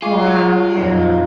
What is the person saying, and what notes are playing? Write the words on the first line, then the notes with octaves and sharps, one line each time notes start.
Wow, yeah.
F4 G#4 C#6 D6
F2 A#2 D#4